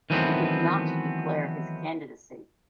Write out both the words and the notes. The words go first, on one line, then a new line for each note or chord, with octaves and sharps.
He did not declare his candidacy.
D#3 E3 F#3 A3 B3 C4